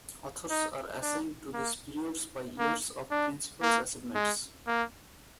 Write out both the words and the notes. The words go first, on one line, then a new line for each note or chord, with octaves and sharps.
Authors are assigned to these periods by years of principal achievements.
D#4
D4
A#3
A#3
D4
A#3
G#3
A#3